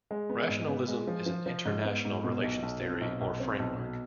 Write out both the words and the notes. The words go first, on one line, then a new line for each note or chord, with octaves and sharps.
Rationalism is an international relations theory or framework.
G#3
B3
G#2
B3
G#3
F3
F3
F3
G#2
B3
G#2
B2
B1
B1
C4
B1
B1
C4
B1
B2